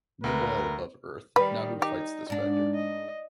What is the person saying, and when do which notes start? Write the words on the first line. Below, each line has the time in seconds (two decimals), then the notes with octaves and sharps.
Meanwhile above Earth, Nabu fights the Spectre.
0.24 D2 A#4 B4
1.36 D#3 G3 B4
1.82 D#4 G4
2.30 G#2 D4 D5
2.75 D#5